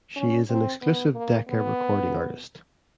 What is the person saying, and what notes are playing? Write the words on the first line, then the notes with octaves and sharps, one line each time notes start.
She is an exclusive Decca recording artist.
C#4
C4
B3
A#3
B3